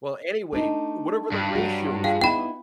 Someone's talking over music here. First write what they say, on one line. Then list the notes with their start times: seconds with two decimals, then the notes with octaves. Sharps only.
Well, anyway, whatever the ratios were,
0.53 A3 D4 D#4
1.32 G2
1.55 F#3 F#4
2.04 F4 G#4 F5 G5
2.22 B3 D#4 E4 G5 B5